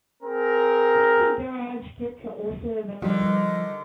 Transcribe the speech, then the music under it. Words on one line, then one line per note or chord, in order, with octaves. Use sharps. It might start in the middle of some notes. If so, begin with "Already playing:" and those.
Pinky garage kits are also available.
C4 G#4 A#4
D3 D#3 F3 G3 D#5